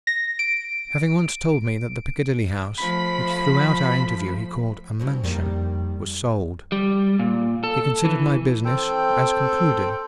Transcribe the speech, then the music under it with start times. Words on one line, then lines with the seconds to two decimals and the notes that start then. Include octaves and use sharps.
Having once told me that the Piccadilly house--which throughout our interview he called a "mansion"--was sold, he considered my business as concluded.
0.07 A#6
0.39 D7
2.78 F3 A3 B5
4.99 G2 B2 E3
5.24 F2 D#3 G3 A#3
6.72 G3
7.19 A#2
7.64 A4
8.05 E3
8.65 C4 A4 G5